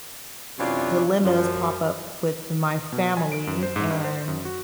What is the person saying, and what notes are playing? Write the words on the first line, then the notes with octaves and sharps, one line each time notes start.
dilemmas pop up with my family, and
F#2 C3 E3 D4 F4 C#5
F#2 F3
B2
G#5
D7
F#2
C5
G#2
G2
C5
F#2
F#4